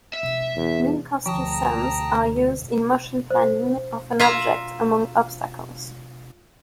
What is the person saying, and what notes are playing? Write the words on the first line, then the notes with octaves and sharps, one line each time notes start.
Minkowski sums are used in motion planning of an object among obstacles.
E5
E2
D2 F3 G5 A5 A#5 D#6
C5
F4 E5 A#5